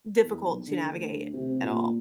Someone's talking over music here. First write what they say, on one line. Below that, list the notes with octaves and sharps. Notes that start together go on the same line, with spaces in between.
difficult to navigate, at all.
E2
B1
D3
D2
C3
A#2